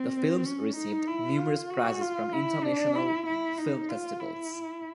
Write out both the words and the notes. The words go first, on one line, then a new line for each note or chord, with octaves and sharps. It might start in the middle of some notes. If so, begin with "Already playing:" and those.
The films received numerous prizes from international film festivals.
Already playing: C4
C#4
D#4
E4
F4
F#4
F4
E4
D4
E4
E4
D#4
F4
E4